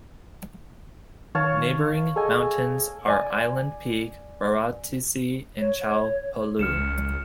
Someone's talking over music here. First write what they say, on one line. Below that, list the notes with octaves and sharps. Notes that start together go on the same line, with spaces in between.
Neighbouring mountains are Island Peak, Baruntse and Cho Polu.
D#3 C#5 F5 A5
G#4 A4 D#5 G#5
D5 G#5
C#5
C#2 F6 C#7 E7